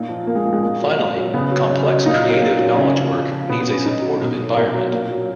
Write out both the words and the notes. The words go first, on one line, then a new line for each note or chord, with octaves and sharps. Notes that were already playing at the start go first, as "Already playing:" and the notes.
Finally, complex creative knowledge work needs a supportive environment.
Already playing: A#2 D#4
F3
A#2 A#3
G#3
F3 A#3
G#3
A#2 A#3
F#3
A#2
F#3
C#3 B3
F#3
C#3
F#3
A#2 D#4
F4
F#3
A#3
A#2
F#3
C#3 C#4
F3
C#3
F3
B2 B3
B3
F#3
C#4
B2 D#4
F#3
B2
F#3
B2 A#4
F#3
A#2
F#3